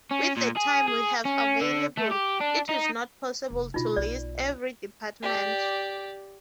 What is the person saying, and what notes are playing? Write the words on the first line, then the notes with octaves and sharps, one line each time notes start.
With the time we have available, it is not possible to list every department.
C#4
A#2
G#4
G#4
C#4
D3
A3
G4
D4
D#4
F1 F2
B2 D3 D#4 F4
B1 D5
G4 D5